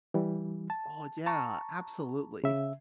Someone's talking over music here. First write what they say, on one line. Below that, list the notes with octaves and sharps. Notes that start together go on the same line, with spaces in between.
Oh, yeah, absolutely.
E3 G3
A5
A5 A#5 C#6
C#3 E5